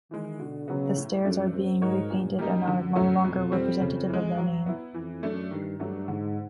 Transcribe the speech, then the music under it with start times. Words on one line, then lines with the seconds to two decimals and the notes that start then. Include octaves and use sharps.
The stairs are being repainted and are no longer representative of their name.
0.11 D#3 E3 G#3
0.40 B2 D3
0.68 C#3 F#3 B3
0.96 A2
1.25 F#2 F3 A3 D4
1.53 F#2 C4
1.81 G#2 D#4 F#4 A#4 C#5
2.10 G2 A#2
2.39 F#2 G3 A#3 D#4
2.68 D3
2.96 F#3 A3 C#4
3.24 F2 B2
3.52 G3 C4
3.81 C#3
4.09 E3 G#3
4.37 F#3
4.66 B3 E4
4.94 F2 E3
5.23 F#2 A3 D4
5.51 G2 D#3
5.80 G2 F#3 A3 D4
6.08 G#2 D3